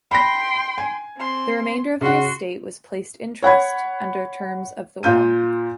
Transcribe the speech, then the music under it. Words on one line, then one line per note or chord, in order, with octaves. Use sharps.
The remainder of the estate was placed in trust under terms of the will.
G5 B5 C6 A#6
G#5
C4 C6
C#3 F#4 F#5 C6
C#5 F#5 B5 G#6
A#2 F4 G6 D#7